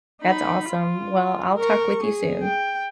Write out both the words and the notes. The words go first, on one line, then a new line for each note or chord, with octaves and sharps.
That's awesome. Well, I'll talk with you soon.
D#4 B5
F4
A#4 C#6
G#4
G5